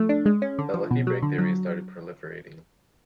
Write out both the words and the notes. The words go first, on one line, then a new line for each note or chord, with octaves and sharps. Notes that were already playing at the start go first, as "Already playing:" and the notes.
The lucky break theory started proliferating.
Already playing: F3 A3
D4
G#3
C#4
D3
F3
B2
F#3
D3
F#3